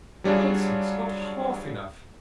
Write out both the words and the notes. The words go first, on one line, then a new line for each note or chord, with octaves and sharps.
'Nonsense! not half enough.'
F#3 G3 D4 F4 G#4